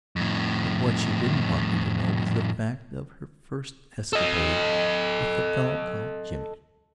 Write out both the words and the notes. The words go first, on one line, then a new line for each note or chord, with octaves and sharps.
But what she didn't want me to know was the fact of her first escapade with the fellow called Jimmy.
F2 A2
A4 D#5